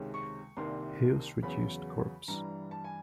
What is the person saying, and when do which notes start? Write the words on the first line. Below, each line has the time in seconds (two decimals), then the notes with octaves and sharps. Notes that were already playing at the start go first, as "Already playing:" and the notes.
Hill's reduced corps.
Already playing: C#2 C3 D#3 G#3 C#4
0.14 C#6
0.57 C2 C3 D#3 G3 A#3 C6
1.42 E2 C#3 F#3 B3 B5
2.28 G2 E3 G3 A#5
2.71 A5
2.84 G#5